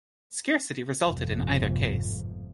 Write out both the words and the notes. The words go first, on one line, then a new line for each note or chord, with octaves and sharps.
Scarcity resulted in either case.
G1 F2 G#2 C3 F3